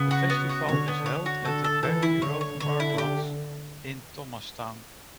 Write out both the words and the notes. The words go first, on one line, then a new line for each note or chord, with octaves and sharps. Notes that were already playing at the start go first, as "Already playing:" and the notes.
The festival is held at the Barry Road parklands in Thomastown.
Already playing: C#3 B3
F#4
B3
F#4
D3 C#5
B3
C#5
F#4
D3 A4
A4
E3 A4
E4
D3 C#5
C#5
D3 C#5
E4
G4